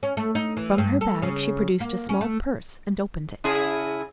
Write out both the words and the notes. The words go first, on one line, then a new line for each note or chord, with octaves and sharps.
From her bag she produced a small purse and opened it.
C#4
A3
D#4
E3
G2
A4
C#3
A#3
C#4
A3
C#3 E4 G#4